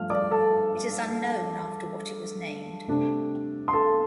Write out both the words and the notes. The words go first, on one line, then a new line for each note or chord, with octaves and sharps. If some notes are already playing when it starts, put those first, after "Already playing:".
It is unknown after what it was named.
Already playing: G2 F3 A3 D4 F5 F6
D5 D6
A4 A5
C3 A3 D4
C6
A4 A5